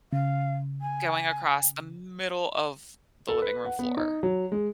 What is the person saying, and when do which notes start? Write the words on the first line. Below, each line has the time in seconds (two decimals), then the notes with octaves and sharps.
going across the middle of the living room floor.
0.13 C#3 F5
0.82 G#5
3.29 A4
3.42 B4
3.65 F#5
3.79 B3
3.97 D#4
4.23 F#3
4.52 G#3